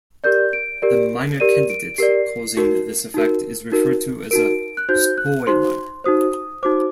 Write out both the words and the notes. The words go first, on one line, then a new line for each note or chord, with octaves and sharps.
The minor candidate causing this effect is referred to as a "spoiler".
G4 A#4 D5 G6
D7
G4 A#4 D5
G4 A#4 D5 D#7
D7
G4 A#4 D5 C7
D#4 F#4 A#4
D#4 F#4 A#4
D#4 F#4 A#4
D#4 F#4 A#4 D7
F#6
D#4 F#4 C5 G6
F#6
D#4 F#4 C5 C6
D#4 F#4 C5 D#6
D#4 F#4 C5 D6